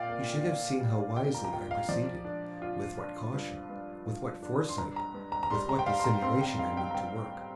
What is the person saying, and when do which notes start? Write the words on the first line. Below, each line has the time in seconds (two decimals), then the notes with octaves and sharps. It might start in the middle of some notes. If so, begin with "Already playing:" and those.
You should have seen how wisely I proceeded--with what caution--with what foresight--with what dissimulation I went to work!
Already playing: A#2 F4 D5 F5 G5
0.09 A#3
0.45 F4
0.81 G3
1.17 A#3 G5
1.34 A#5
1.44 A#5
1.53 F4 G5
1.71 F5
1.89 F3 D5
2.25 D4
2.62 F4
2.98 D4
3.33 G2
3.70 G2
4.05 G2
4.43 D4
4.69 C6
4.78 G2 A#5
4.96 A#5
5.14 G2
5.32 A#5
5.43 A#5
5.50 G3 C6
5.69 A#5
5.79 G5
5.86 G3 F5
6.00 C6
6.04 A#5
6.22 C4 C6
6.41 G5
6.59 G2 F5
6.77 G5
6.91 A#5
6.94 G2 G5